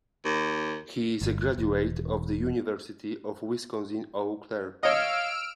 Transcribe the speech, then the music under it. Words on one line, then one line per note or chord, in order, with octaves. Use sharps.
He is a graduate of the University of Wisconsin-Eau Claire.
D#2
G1
E1
C#5 D#5 F5 E6 F6 D7